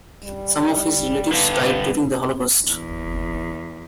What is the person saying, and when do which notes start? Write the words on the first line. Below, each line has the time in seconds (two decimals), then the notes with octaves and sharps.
Some of his relatives died during the Holocaust.
0.24 G3
1.32 G2 D3 B3
2.66 E2